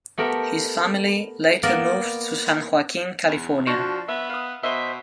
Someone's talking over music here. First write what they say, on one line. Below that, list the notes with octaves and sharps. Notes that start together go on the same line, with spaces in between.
His family later moved to San Joaquin, California.
A3 B3 G4 A#4
A#3 B3 A#4 D5
E2
F3 D4 F#4
B3 E5
F5 D#6
B2 C5 D#5 E5